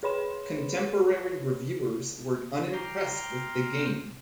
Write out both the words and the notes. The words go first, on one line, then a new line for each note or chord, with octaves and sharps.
Contemporary reviewers were unimpressed with the game.
G#4 B4 C#5 B5 C6 E7
G5 A#5 C6 D6 F6